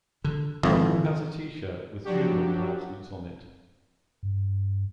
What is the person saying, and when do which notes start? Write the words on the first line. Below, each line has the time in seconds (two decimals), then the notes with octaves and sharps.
Or who has a T-shirt with funeral announcements on it?
0.25 D3
0.63 G#1 F2 D#3 E3
2.04 F3 F#3 D4 F#4 G4
4.23 G2